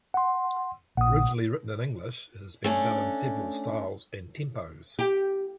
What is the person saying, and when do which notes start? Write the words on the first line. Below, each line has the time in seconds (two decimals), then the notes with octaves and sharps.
Originally written in English, it has been done in several styles and tempos.
0.14 F#5 C6
0.97 A#1 F#5 D#6
2.64 A3 C#4 D4
4.99 G4